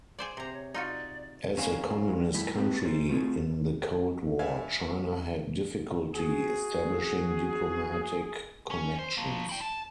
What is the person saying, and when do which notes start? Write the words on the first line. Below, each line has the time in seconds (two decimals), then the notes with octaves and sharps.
As a communist country in the Cold War, China had difficulty establishing diplomatic connections.
0.19 G#4 C5 D5
0.37 C3 C5 A#5
0.53 C#5
0.74 D#4 F4 F#4 D5
1.57 C#4 C5 F5 G#5
2.34 G3 A3 E4
2.54 A#3 C4 G4 B4
2.83 G#4 C5
3.09 A3 C4 F4 G4 G#4
4.39 G2 E5 F5 G#5 G#6
6.13 F#4 G#4
8.71 C#4
8.99 C5
9.18 F3 A#3
9.49 E4 G5
9.61 A5